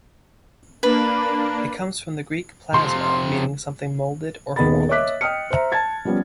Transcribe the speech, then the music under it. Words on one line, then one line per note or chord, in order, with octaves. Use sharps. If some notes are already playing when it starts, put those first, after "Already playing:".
It comes from the Greek "plasma", meaning "something molded or formed".
A#3 D4 B4
C3 F3 C6
D#1 D#3 B3 G#4 B5 A6
C#5 D#5 E5 D6 F#6 B6
D#5 G5 D#6 F6 C#7
C5 E5 A#5
A5 G#6 A6
F3 G3 B3 C#4